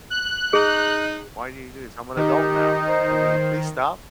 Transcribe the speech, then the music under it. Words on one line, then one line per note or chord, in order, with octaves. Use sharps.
Why do you do this, I'm an adult now, can you please stop?"
F#6
D#4 G#4
D#3 D#4 G4
C5